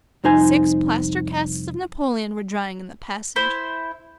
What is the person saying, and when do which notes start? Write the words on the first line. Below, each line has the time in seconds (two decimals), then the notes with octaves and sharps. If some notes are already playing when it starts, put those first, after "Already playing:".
Six plaster casts of Napoleon were drying in the passage.
0.24 C2 F2 D#4 C5 G#5
3.36 E4 C5